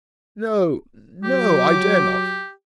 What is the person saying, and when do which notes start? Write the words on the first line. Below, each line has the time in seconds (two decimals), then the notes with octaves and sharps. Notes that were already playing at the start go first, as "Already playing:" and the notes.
"No--no, I dare not."
1.24 F#3 G4 D6